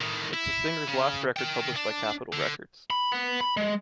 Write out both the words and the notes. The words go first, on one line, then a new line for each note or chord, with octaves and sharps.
Its the singer’s last record published by Capitol Records.
A2 D#3
E4
C#3
A#4 G5
D4
D3
B5
B3
B5
G#3